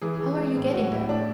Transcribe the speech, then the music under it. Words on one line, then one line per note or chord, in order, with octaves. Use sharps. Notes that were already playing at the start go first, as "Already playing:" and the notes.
"How are you getting there?"
E3 G#4
E3
G#3
A2
A2 F#4
A2 E4
A2 D4